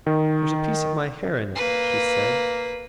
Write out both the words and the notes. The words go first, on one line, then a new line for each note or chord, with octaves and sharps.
"There's a piece of my hair in it," she said.
D#3
A#3 B4